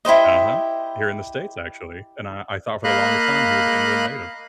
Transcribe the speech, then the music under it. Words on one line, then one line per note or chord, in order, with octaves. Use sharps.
Uh-huh, here in the states actually, and I I thought for the longest time he was an England native,
E4 G4 C5 D#5
A#3 D#5 F5 B5 F#6